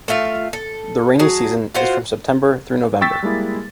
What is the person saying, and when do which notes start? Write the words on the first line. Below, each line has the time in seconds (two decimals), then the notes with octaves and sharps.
The rainy season is from September through November.
0.08 A3 F4 E5 F5
0.53 A4
1.19 F#3 G#4 A5
1.74 F4 F#4 C5
3.01 G5 C#6 E6 A6 B6
3.23 G3 G#3 A#3 E4 G#4